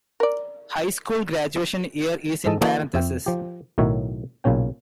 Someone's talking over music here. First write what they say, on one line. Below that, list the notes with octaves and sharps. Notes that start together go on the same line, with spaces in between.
High school graduation year is in parentheses.
A#4 D5
G#2 G#3 A4 D#5 A5
E3 A#3 F#4 A4 D#5 A5
F2 E5 G5
F3 G4
B1 A2 D#3 F#3 C#5 E5
B1 A#2 C#3 C#4 G5